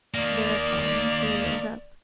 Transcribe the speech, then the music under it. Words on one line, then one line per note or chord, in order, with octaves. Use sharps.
Thereupon Kay rose up.
D#3 A#3 D5